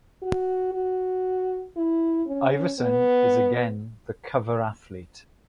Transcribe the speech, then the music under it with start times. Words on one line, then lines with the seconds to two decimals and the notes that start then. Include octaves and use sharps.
Iverson is again the cover athlete.
0.22 F#4
0.73 F#4
1.76 E4
2.27 C#4
2.79 B3